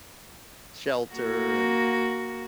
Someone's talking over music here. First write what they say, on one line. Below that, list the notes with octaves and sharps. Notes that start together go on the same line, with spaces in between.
shelter, and,
A#3 F#4